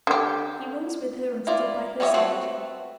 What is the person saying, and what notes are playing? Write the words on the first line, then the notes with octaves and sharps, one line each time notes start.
He rose with her, and stood by her side.
D3 G4
E4 F4 D5
G3 B3 C#5 D5 E5
A3 C4 F#4 B4 E5